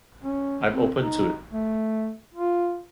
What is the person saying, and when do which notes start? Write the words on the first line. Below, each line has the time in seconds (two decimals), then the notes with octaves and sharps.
I'm open to it.
0.23 C#4
0.70 C4
0.98 D#4
1.53 A3
2.34 F4